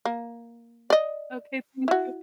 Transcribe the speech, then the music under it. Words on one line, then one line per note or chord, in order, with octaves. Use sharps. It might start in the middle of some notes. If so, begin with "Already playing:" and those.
Okay, thank you."
A#3
D5 D#5
E4 F#4